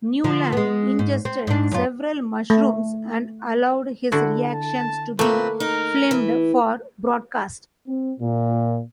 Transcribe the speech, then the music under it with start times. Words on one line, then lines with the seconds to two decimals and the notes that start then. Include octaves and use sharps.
Newland ingested several mushrooms and allowed his reactions to be filmed for broadcast.
0.24 D3 F3
0.53 G#3 B3
0.99 G#2
1.25 C4
1.47 G#2 D4
1.71 F#2 F4
2.50 A3
4.12 D3 E4 F#4
4.53 A5
5.19 A#2 A3 A#3 C4 B4
5.60 D#4 A#4
6.11 E3
7.88 C4
8.20 A#2